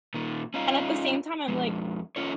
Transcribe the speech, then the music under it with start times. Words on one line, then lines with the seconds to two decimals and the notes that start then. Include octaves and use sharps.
and at the same time, I'm like,
0.14 A#2 D#3
0.54 C#4 D#4 F4
1.48 F2 C#3 G#3
2.16 C#4 F4 A4 C#5